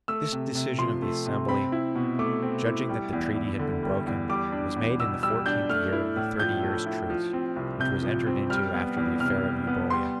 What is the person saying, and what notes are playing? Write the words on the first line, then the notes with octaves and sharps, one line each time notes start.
This decision of the assembly, judging that the treaty had been broken, was made in the fourteenth year of the thirty years' truce, which was entered into after the affair of Euboea.
A3 E6
C3
C3
F3 C6
A3
C3
C4 B5
E4
B2
A3 D6
C4
E4
G3
E2
E2
D3
G3
E2
G3 D6
D4
E2
B2 E6
G3 E6
D4 G6
A3 F6
E4
A2
F3 G6
A3
E4
F3
C4
C2
C3 G6
F3
C4
G3 F6
B3
E2
C3 F6
G3
B3
G3 C6